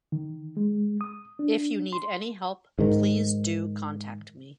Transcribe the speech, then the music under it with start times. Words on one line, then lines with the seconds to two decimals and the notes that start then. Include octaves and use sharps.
If you need any help please do contact me.
0.12 D#3
0.57 G#3
1.01 D#6
1.39 D4
1.93 C6
2.79 G#2 D#3